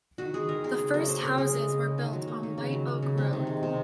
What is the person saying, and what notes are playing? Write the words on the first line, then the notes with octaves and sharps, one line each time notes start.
The first houses were built on White Oak Road.
D#3 F#4
G#3 G#4
D#3 A#4
G#3 G#4
C#3
F#3 A#4
A#3 C5
C#3 A#4
C#3 G#4
G#3
C#3
G#3
D#3
F#3
A#3
D#3
C#3
F#3
A#3
C#3
C3
D#3
G#3
C3